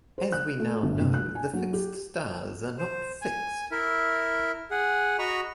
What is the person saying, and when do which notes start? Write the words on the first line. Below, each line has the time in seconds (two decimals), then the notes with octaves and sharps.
As we now know, the fixed stars are not "fixed".
0.18 C5
0.32 F#6
0.60 A3
0.83 G1
1.00 F1
1.14 F#6
1.35 G#5
1.53 F#3
1.74 G4
2.78 C5
3.22 G#5
3.72 E4 A#4 E5
4.71 G#4 F#5
5.19 F#4 D#5 A#5 B5 C#6